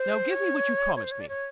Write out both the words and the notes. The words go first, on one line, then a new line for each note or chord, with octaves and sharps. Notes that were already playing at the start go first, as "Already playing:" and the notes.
"Now give me what you promised me."
Already playing: C5
C#5
C#5
C5
C#5
D5
C#5